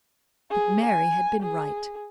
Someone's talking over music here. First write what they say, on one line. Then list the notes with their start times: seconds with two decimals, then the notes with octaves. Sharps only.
But Mary had been right.
0.51 G#4
0.85 G#5
1.43 G#4